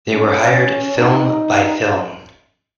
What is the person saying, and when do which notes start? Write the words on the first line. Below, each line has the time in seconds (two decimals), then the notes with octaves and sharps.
They were hired film by film.
0.14 C#4
0.97 D#4